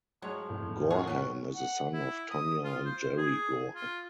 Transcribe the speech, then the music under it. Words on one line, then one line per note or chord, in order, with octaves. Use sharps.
Gorham is the son of Tonya and Jerry Gorham.
F3 F#3 G#3 C#4 C#5
F2 A2
D#3 F#3 F4 F#4 G#4 C#6
B3 C#4
F#5
E4
D#6
F4
C5
G#4
F4